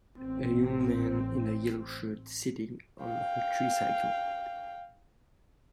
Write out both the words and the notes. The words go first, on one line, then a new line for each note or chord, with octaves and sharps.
A young man in a yellow shirt sitting on a tricycle.
A1 C4
F5 G5